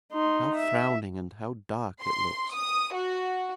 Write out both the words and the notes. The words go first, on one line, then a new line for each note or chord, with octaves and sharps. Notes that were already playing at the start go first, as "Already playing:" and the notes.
How frowning and how dark it looks!'
D#4 C6
E5
C6
D#6
F#4